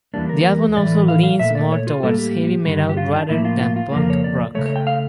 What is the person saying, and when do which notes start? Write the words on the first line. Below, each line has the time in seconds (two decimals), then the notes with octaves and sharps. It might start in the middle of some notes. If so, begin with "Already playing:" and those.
The album also leans more towards heavy metal rather than punk rock.
0.14 E2 E3 G3 A#3 D4
0.29 A#4
0.77 A2 E3 A3 D5
1.08 F5
1.24 F5
1.39 A#2 A3 E5
1.55 D5
1.72 C#5
1.87 F4
2.03 A2 G3 A#3 A4
2.18 G4
2.65 G2 D3 G3
2.89 G4
2.97 F4
3.14 D4
3.29 A2 F3 A#3 E4
3.45 F4
3.61 F4
3.76 F4
3.92 F2 C#3 F3 A#3 A#4
4.10 C#5
4.24 D5
4.55 C#3 F3 A3 C#5
4.66 C#5
4.76 G5
4.87 F5